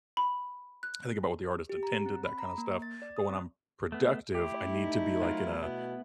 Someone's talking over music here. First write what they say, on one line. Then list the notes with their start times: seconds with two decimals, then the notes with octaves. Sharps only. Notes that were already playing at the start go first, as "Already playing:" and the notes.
I think about what the artist intended, that kinda stuff, but when I'm productive, I need to be, like, in a
0.17 B5
0.83 F#6
1.69 G4
1.83 A#5
2.06 C4
2.24 B5
2.39 A#5
2.58 A#3
2.82 A6
3.02 D5
3.17 D#6
3.29 C4
3.92 A3 B3
4.35 A3 E4 G4
4.74 D#4
5.22 F#3 F4 A#4
5.62 B2 B3